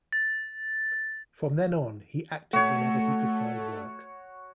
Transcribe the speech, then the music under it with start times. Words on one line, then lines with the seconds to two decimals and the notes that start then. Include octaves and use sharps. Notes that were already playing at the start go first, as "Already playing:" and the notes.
From then on he acted whenever he could find work.
0.13 A6
2.53 A3 F#4 C#5